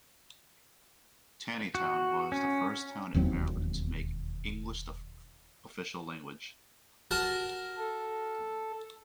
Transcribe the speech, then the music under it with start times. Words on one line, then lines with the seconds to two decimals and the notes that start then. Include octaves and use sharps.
Taneytown was the first town in Maryland to make English the official language.
1.75 F#4
2.32 C#4
3.14 E1 D#2 F#3 C4
7.11 F#4 A#4 A5
7.78 A4